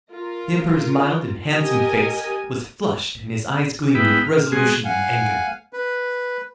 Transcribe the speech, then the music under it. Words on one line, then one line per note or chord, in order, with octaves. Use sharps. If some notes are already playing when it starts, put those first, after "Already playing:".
The Emperor's mild and handsome face was flushed and his eyes gleamed with resolution and anger.
F4 A#4
G4 A#4 D#5 G#5
G#2 B3 E4 G5 B5
F6
B2 G#3 F#4 G#4 G#5 C6
F5 F#5 G#5
B4